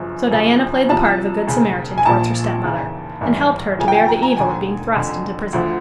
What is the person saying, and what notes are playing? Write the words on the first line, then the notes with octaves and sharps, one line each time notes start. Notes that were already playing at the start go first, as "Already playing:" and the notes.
So Diana played the part of a Good Samaritan towards her stepmother, and helped her to bear the evil of being thrust into prison.
Already playing: G1 F#2 C#3 F3
G1 F#2 C#3 F3
C2 C3 F3 A5
E1 D#2 C#3
G#5
A#1 A#2 F3 A5
D#2 C#3 E3
G#1 G2 E3
D2 C#3 F3 G#5
G5
G#5
A#5
A#5
E1 D#2 D3 G#5
F1 F2 D3
D2 D3 F3